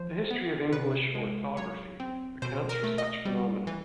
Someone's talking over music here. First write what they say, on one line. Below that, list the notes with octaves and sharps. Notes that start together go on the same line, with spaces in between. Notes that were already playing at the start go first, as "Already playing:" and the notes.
The history of English orthography accounts for such phenomena.
Already playing: F3 C5
B3
C3 B4
G#3
F#3 C#5
C4
B2 C5
A#4
A3
D#5
G3
E3